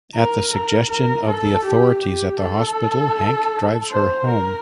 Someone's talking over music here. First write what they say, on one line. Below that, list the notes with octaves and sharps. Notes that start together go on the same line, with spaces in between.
At the suggestion of the authorities at the hospital, Hank drives her home.
A#4
A#4
A#4
A4
G4
G4
A4
C5
A#4